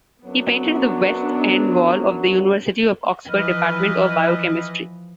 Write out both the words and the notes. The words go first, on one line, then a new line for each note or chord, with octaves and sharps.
He painted the West End Wall of the University of Oxford Department of Biochemistry.
F#2 F#3 B3 D4
E3 F3 B4 D#5 F6